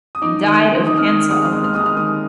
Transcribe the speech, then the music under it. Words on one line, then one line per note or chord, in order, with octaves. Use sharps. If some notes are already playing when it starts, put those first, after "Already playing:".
He died of cancer of the tongue.
D#6
D#4 D6
D#3
D#3
D#4 D#6
F6
D#3 D#6
F6
G#3 D#6
F6
G#3 D#6
F6
G#3 D#6
F6
D#3 D#6